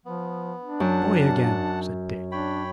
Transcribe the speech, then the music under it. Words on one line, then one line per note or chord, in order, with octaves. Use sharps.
"Boy again!" said Dick.
F3 B3
D4
F#2 F#5 A5
D4 C#5 G5 B5